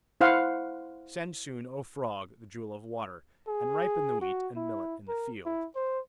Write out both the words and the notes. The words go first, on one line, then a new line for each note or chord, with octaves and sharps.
"Send soon, O frog, the jewel of water! And ripen the wheat and millet in the field."
E4 C5 F5 F#5
G#4
F#4
E4
A#4
E4
C5